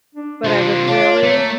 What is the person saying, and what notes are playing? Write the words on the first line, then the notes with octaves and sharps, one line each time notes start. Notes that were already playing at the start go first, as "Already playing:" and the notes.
but I would really
D4
C3 D4 F4 C5
D4 C#5 D5 F5
A3 A#3